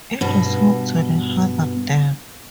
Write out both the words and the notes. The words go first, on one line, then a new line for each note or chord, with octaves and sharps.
It is home to the Hardap Dam.
G2 B2